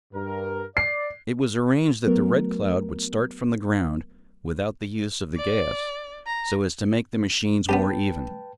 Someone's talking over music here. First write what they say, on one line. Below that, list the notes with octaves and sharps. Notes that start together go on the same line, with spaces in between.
It was arranged that the Red Cloud would start from the ground, without the use of the gas, so as to make the machines more even.
G2 A#4
D5 C7
F#3 A3 B3 A#4
D5
A#5
B3 C#4 G4 B4 G5 A5